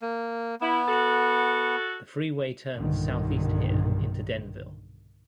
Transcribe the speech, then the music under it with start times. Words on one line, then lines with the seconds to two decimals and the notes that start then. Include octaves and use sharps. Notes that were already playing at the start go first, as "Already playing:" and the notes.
The freeway turns southeast here into Denville.
0.02 A#3
0.61 B3 E4
0.87 F#4 A4
2.74 B1 G2 A#2 D3 D#3